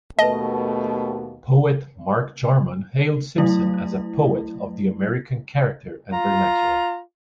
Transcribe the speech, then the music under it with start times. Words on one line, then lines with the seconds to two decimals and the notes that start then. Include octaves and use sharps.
Poet Mark Jarman hailed Simpson as a poet of the American character and vernacular.
0.19 D#2 B2 A3 B4 D#5 A5
3.38 F#3 A3 E4
6.13 F4 A#5